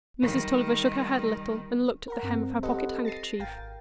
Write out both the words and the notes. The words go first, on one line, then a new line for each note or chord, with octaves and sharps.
Mrs. Tulliver shook her head a little, and looked at the hem of her pocket-handkerchief.
D#3 G3
A#4 F#5 A#5
G2 C4
G4 A4 B4 C5 D#5 F#5
A6 A#6 C7 D#7
G#1 A#4 F5 G5 A6